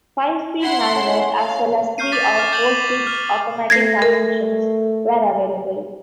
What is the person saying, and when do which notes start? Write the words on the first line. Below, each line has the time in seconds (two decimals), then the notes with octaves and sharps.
Five-speed manuals as well as three- or four-speed automatic transmissions were available.
0.62 E4 F#5 C6
0.96 C#4
1.36 F5
1.98 C#6 F6 G6 C7 D#7
2.12 D6 A6 B6
2.35 C#6 D6 F6
2.52 D6 G6 A6 C7 F7 F#7
3.07 F6
3.70 A3 G#6 A#6 C7
4.02 A#4